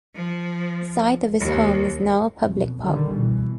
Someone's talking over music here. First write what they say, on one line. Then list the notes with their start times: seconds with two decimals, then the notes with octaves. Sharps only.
The site of his home is now a public park.
0.14 F3
1.39 D#2
2.44 F2 B2
2.81 D3 D#3 G3
3.13 B2 E3